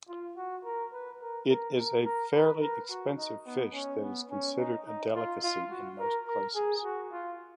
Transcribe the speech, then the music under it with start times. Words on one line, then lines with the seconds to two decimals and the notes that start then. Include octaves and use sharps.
It is a fairly expensive fish that is considered a delicacy in most places.
0.09 F4
0.36 F#4
0.65 A#4
0.93 B4
1.21 A#4
1.49 A#4
1.78 A#4
2.06 A#4
2.34 B4
2.62 A#4
2.90 F#4
3.18 D#4
3.46 B3
3.74 C#4
4.03 B3
4.31 C#4
4.58 D#4
4.87 D#4
5.15 F4
5.43 F4
5.71 F#4
6.00 A#4
6.28 A#4
6.55 G#4
6.83 F#4
7.12 F4